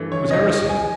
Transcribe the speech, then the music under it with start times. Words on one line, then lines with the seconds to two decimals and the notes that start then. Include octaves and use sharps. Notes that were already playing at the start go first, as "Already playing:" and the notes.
It was heresy.
Already playing: G2 E3 A3
0.12 C#5
0.31 D#5
0.50 D#5
0.69 G#5